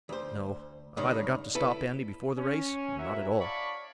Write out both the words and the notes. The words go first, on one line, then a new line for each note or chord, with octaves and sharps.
No, I've either got to stop Andy before the race, or not at all.
D2 C5
C#2 G2 D#3
E4 A4 B4 A5
C#4
E4 F#4 A#4 E5
C#5 D5 F5 A5 B5 C#6